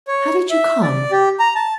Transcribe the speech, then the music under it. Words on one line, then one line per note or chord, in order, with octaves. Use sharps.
How did you come?
C#5
E5
D5
G4
A#5
A5